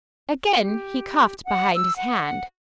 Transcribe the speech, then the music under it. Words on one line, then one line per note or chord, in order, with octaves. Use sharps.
Again he coughed behind his hand.
G4
F#5
E6
F#5